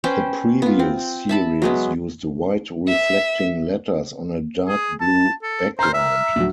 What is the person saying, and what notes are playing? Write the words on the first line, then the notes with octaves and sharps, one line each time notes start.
The previous series used white reflecting letters on a dark-blue background.
C#4 B4 C5 G5
B3 F4
C4
E5 A5 B5
F#3 G#3 B3
E5
G#4
A5
A4
C5 A#5 F6
E5
D2 A2 F#3